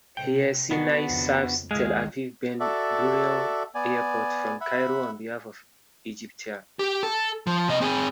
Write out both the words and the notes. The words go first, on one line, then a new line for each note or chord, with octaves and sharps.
Air Sinai serves Tel Aviv-Ben Gurion Airport from Cairo on behalf of Egyptair.
C3 G5
D#3 B3 D4 F#4
F2 C#3
C#2 D#3 G#3 G#4 F5
F#4 A4 D5 E5
B3 D5 G#5
E5 F#5 B5
G4
A4
F3
C3 D#5
C4 G#4